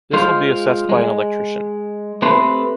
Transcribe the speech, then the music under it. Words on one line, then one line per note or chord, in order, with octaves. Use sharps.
This will be assessed by an electrician.
G#3 F4 C5 F5
G#3
A3 C4 G4 B4 C6